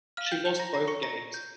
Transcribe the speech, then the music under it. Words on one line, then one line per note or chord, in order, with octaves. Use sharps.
She lost both games.
F5 F6
A6
G5 G6
G5 G6
A#5 A#6
A#5 A#6
C#6 C#7
A#5 A#6
G6